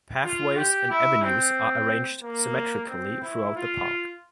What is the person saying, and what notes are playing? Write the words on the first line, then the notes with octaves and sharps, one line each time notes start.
Pathways and avenues are arranged symmetrically throughout the park.
F4
G4
E4
C4
A#3
C4
E4
F4